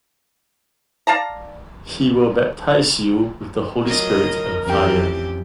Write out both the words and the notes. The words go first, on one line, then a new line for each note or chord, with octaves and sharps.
He will baptize you with the Holy Spirit and fire.
D5 F5 A5 A#5
F#3 F4 A#4 D#5
F2 E3 F3 C#4 G4 G5